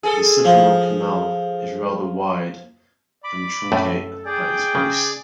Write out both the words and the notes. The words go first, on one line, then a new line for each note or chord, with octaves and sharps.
The siphonal canal is rather wide and truncate at its base.
G#4 A4
F3
D5 B5 D6
F#2 A2 A3 A4
G#4 D5 G5
C#3